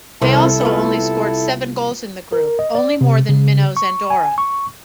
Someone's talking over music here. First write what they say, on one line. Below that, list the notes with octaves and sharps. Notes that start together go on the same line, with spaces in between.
They also only scored seven goals in the group, only more than minnows Andorra.
C2 C3 D#3 C4 E4 A4
B3 F4
A#4
D#5
D5
C3
C#3
C#6
G#5
C#6